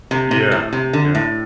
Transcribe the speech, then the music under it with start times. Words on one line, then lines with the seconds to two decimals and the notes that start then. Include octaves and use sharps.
Yeah. Yeah,
0.11 C3
0.31 C3
0.52 A2
0.73 C3
0.93 D3
1.15 A2